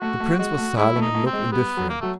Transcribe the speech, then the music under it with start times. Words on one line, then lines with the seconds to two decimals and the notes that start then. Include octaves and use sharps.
The prince was silent and looked indifferent.
0.01 A3 F#4
0.20 A3
0.39 G#3 F#4
0.58 A3
0.77 G#3 E4
0.96 A3
1.01 D#4
1.15 A3
1.26 C4
1.33 G#3
1.52 G3 B3
1.77 F#3
1.90 A#3
2.01 F#3 A3